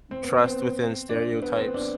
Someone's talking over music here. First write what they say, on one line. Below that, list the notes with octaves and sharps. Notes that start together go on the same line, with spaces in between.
trust within stereotypes,
C4
B3
B3
C4
D4
B3
C4
D4